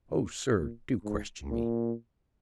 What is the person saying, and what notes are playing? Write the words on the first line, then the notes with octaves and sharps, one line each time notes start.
"Oh, sir, do question me!"
A#2
A#2
G#2
A#2